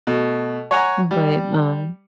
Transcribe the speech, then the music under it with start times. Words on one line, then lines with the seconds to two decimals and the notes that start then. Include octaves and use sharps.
but, um
0.07 B2 A3
0.71 C#5 F#5 G#5 A#5
1.11 G3